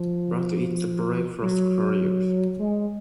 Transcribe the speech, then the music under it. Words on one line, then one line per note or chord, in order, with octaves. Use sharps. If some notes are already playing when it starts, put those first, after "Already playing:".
But it's a breakfast cereal!
Already playing: F3
F#3
G#3